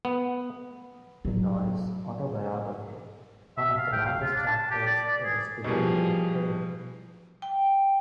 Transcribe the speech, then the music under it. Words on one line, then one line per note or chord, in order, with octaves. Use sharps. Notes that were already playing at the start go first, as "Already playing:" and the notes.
In Noyes' autobiography, one of the longest chapters is devoted to Pain.
B3
F#3
E5
F5
G5
F5
F4
D4
A5
G4
D5
D5
G#4
B2 E3 F3 G3 G#4
G5